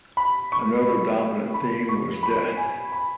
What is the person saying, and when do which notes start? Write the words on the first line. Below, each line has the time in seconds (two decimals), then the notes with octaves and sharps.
Another dominant theme was "death".
0.17 B5
0.52 C#6
1.54 B5
1.89 C#6
2.23 B5
2.57 G#5
2.92 B5